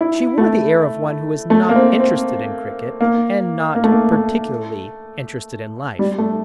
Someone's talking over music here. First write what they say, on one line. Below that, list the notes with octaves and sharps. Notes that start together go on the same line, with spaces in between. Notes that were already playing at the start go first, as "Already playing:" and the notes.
She wore the air of one who is not interested in cricket and not particularly interested in life.
E4
A3
A3
A#3
C4
C4
A#3
A#3
A3
A#3
A3
G3
A3